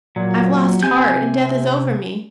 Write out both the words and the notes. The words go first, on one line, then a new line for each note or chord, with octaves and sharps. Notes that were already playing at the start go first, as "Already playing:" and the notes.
I've lost heart, and death is over me.
A#2 F#3
C3 G#5 G6